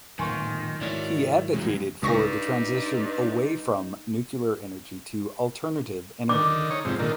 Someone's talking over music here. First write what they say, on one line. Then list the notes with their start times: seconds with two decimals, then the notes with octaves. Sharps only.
He advocated for the transition away from nuclear energy to alternative energy.
0.19 D1 F#2 A#2 D#3 G#5 C6 C#6
0.81 G#2 D#3 E4 F#4 C#5 D5
1.54 F1 F#2 C#3 E3 G#3
2.02 C#2 G2 D#4 C#6 A#6
6.29 D3 D#3 D6
6.70 D#4 C#5
6.85 F2 G#2 C3
6.99 A#2 D3 D#3